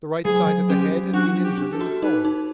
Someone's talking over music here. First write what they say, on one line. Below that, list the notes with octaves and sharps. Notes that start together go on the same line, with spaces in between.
The right side of the head had been injured in the fall.
F#3 G#4
F#3
C#4 G4
F#3
D4 F#4
D4
G4
D4
A4
F#4
D#4 B4
D#4